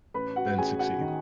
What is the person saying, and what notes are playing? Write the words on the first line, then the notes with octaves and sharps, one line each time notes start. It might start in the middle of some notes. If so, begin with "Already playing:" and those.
then succeed.
A1 B4 B5
F#4 F#5
A1 G#4 G#5
F#4 F#5
D#3